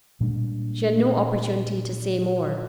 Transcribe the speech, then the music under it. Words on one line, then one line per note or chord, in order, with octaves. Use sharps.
She had no opportunity to say more.
A#2 G3 G#3 D4